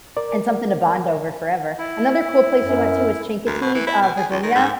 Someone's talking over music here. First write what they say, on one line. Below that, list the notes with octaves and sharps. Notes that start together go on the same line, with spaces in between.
And something to bond over forever. Another cool place we went to was Chincoteague, uh, Virginia,
A#4 D5
E4
F#2
D2
B2
E3
E4
B2
G#4
C#2
D#3
G#2